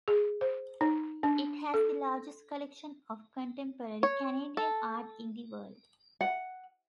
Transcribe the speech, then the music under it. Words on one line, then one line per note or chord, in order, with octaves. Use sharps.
It has the largest collection of contemporary Canadian art in the world.
G#4
C5
D#4
D4
A4
C#5
A4
F#5